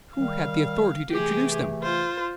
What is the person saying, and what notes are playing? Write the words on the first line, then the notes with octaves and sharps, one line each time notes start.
Who had the authority to introduce them?
D#3 G3 F5
C3 E3 A3 G4 G#4
F4 C5